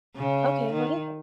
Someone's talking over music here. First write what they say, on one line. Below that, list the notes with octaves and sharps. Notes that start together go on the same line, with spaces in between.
Okay, what is it?
C#3
D#3